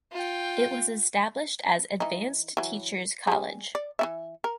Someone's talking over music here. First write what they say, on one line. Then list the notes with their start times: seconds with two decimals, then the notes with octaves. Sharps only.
It was established as Advanced Teachers’ College.
0.13 F4 G5
2.00 E3 D#4
2.57 E3 F#3
3.27 G3 G#4
3.75 D5
3.99 E3 C#4 E5
4.44 A#4